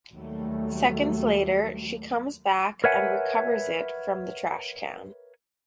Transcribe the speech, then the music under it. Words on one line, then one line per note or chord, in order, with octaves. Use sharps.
Seconds later she comes back and recovers it from the trash can.
D#2 F#3 G3 A3
A#4 B4 C#5 E5 F#5 G#5